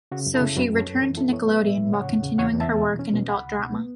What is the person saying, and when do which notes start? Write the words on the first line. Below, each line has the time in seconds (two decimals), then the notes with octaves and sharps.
So she returned to Nickelodeon, while continuing her work in adult drama.
0.12 C#3 F#4
0.26 F#2
0.34 E4 A4
0.41 C#3
0.57 F#2 F#4 B4
0.72 F#2
0.79 A4 C#5
0.87 F#2
1.02 E3 A4 C#5
1.17 B3 E4 A4
1.32 B3 A4 C#5
1.47 F#3 B4 E5
1.63 A2
1.78 A2
1.93 C#3 C#5 F#5
2.08 E2
2.23 C#3
2.38 E2 C#5 F#5
2.53 E2
2.60 E5 A5
2.69 E3
2.84 B2
2.99 C#4
3.14 B2
3.29 C#2 F#5 B5
3.44 C#2
3.59 B2
3.74 B3